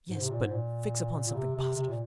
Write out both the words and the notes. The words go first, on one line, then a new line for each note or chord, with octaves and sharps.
"Yes; but fix upon something positive."
G#2
C3
A#2
G#2
A#2
A#2
C3
C3
C3
A#2